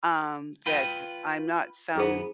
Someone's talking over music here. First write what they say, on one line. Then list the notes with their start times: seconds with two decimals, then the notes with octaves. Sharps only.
um, that I'm not some
0.66 F4 B4 G5
1.95 F#2 B3 E4 G#4 C5